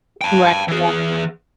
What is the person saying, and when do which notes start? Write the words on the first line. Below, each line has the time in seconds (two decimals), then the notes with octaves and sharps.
Right, yeah.
0.21 G5 A5
0.68 E3 G#4